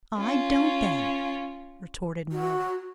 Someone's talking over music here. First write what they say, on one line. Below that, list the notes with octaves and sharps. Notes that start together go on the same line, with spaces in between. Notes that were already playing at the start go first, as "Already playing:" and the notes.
"I don't then," retorted Marilla.
C#4 F4
F#4